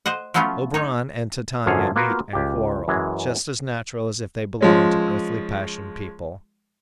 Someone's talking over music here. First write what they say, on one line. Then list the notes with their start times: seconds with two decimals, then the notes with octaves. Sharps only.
Oberon and Titania meet and quarrel, just as natural as if they belonged to earthly passion people.
0.06 C5 D#5 F#5
0.34 F3 F#3 A3 B3 C#4 F4
0.74 D#4 C#5
1.66 F#2 D3 F3 G#4 A4 F5
1.96 A#3 B3 F4 F#4 A#4 B4
2.33 C#2 G4
2.88 F#2 E3 G#3
4.61 F3 G#3 C#4